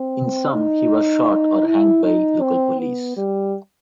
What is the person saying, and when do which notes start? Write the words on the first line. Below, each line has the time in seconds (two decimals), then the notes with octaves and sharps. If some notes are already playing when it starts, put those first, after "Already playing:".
In some he was shot or hanged by local police.
Already playing: C4
0.53 D#4
1.66 E4
2.04 D#4
2.42 C4
2.79 B3
3.17 G3